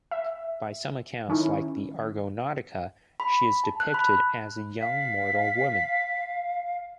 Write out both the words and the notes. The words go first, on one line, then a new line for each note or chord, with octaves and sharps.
By some accounts, like the "Argonautica", she is depicted as a young, mortal woman.
E5
D#3 C#4 D#4 E4
B5
A5
F#6
B5
F5 B6